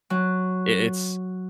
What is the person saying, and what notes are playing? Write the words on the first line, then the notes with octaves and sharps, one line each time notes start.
i it's
F#3